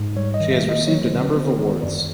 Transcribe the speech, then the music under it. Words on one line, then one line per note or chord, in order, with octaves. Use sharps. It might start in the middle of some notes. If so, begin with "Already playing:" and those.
She has received a number of awards.
Already playing: G#2
G3 C#5
D#5
D#3
E5
A#3
D#5
F#3 C#5
C5
D3
B4
B3 C5
D#3 C#5
F#2 D5